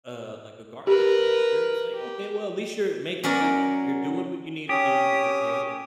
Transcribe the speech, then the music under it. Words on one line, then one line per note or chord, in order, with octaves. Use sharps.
uh, like a garbage collector, it's like, "Okay, well, at least you're making a living. You're doing what you need to do to get paid," and
G4 A#4 B4
G4
F#3 C#4 A#4 D5 F#5
C#4 G4 D#6